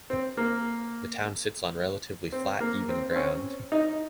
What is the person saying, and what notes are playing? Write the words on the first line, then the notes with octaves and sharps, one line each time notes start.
The town sits on relatively flat, even ground.
C4
A#3
C4
A#3
C4
C4
C#4
D#4